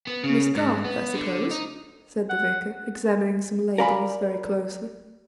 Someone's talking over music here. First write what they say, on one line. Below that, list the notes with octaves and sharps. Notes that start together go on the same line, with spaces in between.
"Miss Garth, I suppose?" said the Vicar, examining some labels very closely.
B3
C#3
G#2
B3
D3
D#4
F#5
A#4 D5 F5 G#5 A#5 B5